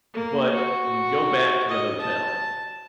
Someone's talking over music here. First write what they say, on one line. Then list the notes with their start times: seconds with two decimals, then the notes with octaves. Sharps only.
but we go back to the hotel,
0.14 A#3
0.54 F#4
1.69 D#5
2.01 A5